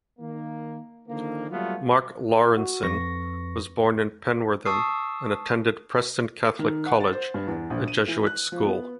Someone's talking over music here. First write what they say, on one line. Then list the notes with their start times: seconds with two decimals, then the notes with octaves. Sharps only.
Mark Lawrenson was born in Penwortham and attended Preston Catholic College, a Jesuit school.
0.19 D#3 A#3
1.07 D3 D#3 F3 A#3
1.50 F#3 G3 A3 B3 F4 F5
2.57 F#4
2.83 F2 B4 C#6 A#6
4.65 A5 C#6 D#6 E6 C7
6.59 D#3
6.86 F#5
7.00 A6
7.13 C5
7.34 G2
7.48 E2
7.70 A#1
7.88 D#7
8.08 E3
8.26 F#6
8.52 F3
8.66 B3